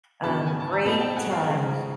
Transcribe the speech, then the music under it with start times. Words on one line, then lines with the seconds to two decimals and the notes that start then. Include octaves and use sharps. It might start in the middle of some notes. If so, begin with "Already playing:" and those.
Um, great, um,
0.24 C#3 F#3 B3 D4 A5 B5
0.47 G#5
0.60 A5
0.73 A#5
0.85 B2 G#3 C4 D#4 A5 B5
1.00 G5 A5
1.16 F#5 G#5
1.31 F5 G5
1.47 C#3 F3 G#3